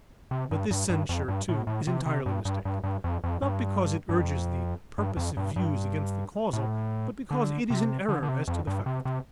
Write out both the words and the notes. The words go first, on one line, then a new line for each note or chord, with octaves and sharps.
But this censure too is entirely mistaken, not because it urges the purposive views against the causal but because it is in error as to the facts.
C3
G2
G2
G2
F2
G2
A2
A2
C3
C3
G2
G2
G2
G2
F2
F2
G2
G2
F2
G2
F2
G2
G2
A2
D3
C3
D3
D3
C3
F2
G2
C3
C3